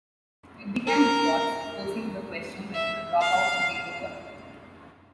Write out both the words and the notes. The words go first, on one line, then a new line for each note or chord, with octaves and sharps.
It began with Watts posing the question Whether to drop out or take over?
A#4
E5
F5